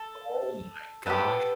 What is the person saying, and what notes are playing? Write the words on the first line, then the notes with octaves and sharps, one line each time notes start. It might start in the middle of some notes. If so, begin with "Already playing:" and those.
Oh, my gosh.
Already playing: A4
B3 E4 G4 A4 B4